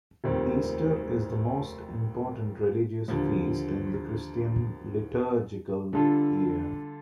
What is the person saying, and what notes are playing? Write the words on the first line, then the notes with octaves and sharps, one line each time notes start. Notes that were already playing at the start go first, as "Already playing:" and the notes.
Easter is the most important religious feast in the Christian liturgical year.
F1 D#2 D#3 G3 C4
D#2 D3 F3
D3 G3 D4 F4 A4